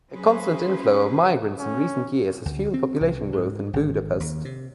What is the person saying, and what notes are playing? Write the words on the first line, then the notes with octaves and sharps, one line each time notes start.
A constant inflow of migrants in recent years has fuelled population growth in Budapest.
F#3 C#4 G#4 B4 C5
C#4
D2
C4
C2
G#2
G#1
D#2
C3